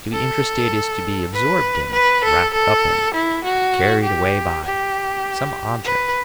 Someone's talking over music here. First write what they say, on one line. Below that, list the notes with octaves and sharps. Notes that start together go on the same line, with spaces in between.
To be interested is to be absorbed in, wrapped up in, carried away by, some object.
A4
B4
B4
A4
A4
E4
F#4
G4
G4
B4